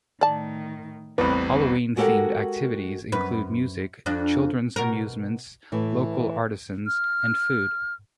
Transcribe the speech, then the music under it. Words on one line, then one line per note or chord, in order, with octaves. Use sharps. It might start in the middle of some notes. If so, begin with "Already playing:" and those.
Halloween-themed activities include music, children's amusements, local artisans, and food.
A2 D#3 D5 A5
A1 E2 G3 C4 B4
G#3 F#4 G4 A4 A#4 F#5
F#2 B4
F2 D4
B2 A#4
A2 E3
F6